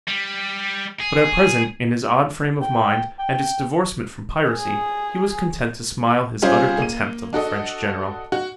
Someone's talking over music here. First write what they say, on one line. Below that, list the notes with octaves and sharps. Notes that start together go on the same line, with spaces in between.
But at present, in his odd frame of mind, and its divorcement from piracy, he was content to smile his utter contempt of the French General.
G3
G#4
G5
G5
G#4
G3 C#4 F4 G4 G#4 C5
A#3 D#7
D4 F#4 A4 D#5
F#4